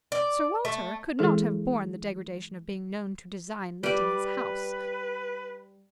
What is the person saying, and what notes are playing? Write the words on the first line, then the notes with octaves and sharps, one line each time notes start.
Sir Walter could not have borne the degradation of being known to design letting his house.
D5
A3
E3 G#3 E4 G#4 A4
G3 B4 D5